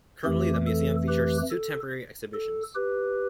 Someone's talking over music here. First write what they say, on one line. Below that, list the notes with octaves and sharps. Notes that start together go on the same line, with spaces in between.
Currently, the Museum features two temporary exhibitions.
F2 E3 A3 G4
A4
G4 B4
A4
A4
G4 B4